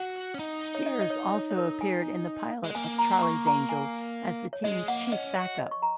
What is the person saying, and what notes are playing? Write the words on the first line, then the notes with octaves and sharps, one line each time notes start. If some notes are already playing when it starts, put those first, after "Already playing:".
Stiers also appeared in the pilot of "Charlie's Angels" as the team's chief back-up.
Already playing: F#4 F#5
C#4
D#4
C#5
D#5
D#5
C#5
C#5
C#5
A#4
G#5
G#3
A#3 G#5
A#5
A#5
C#6
A#5
G#5
C#5
G#3 D#5
A#3 F#5
C#4 D#5
F#4 C#5
D#5
C#6
A#5